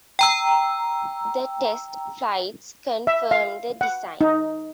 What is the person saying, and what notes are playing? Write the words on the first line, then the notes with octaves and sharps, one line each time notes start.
The test flights confirmed the design.
G5 A#5 E6
E5
F5
F#5
D#4